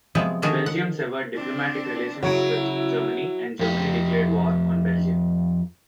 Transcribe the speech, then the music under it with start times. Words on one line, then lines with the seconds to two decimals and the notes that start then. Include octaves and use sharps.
Belgium severed diplomatic relations with Germany and Germany declared war on Belgium.
0.15 C3 F3 F#3 G#3 B3 G#4
0.42 D3 D#3 D4 F#4 G#4 A#4
0.66 F#5
1.35 C4 D4
2.23 C#3 F#3 C#4 E4 F#4 F#5 D7
3.59 F2 G4